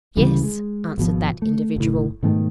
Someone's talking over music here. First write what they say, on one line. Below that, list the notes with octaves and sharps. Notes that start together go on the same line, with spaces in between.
"Yes," answered that individual.
D2 C#3 E3 G3
G#3
G#1 B2 F3
A3
F#1 A2
G#2 B2 D#3 A3